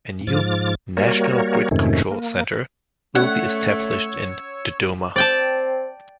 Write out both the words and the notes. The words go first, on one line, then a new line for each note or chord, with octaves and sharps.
A new "National Grid Control Center" will be established in Dodoma.
G#2 F3 D6 F6 A6
G3 A#3 F#4 A#4 C#5
F2 G#2 C3 D#3 A3 C#4
A#3
A3 C#4 C#5 D5 F#5 C#6 E6
C4 D5 G5 A5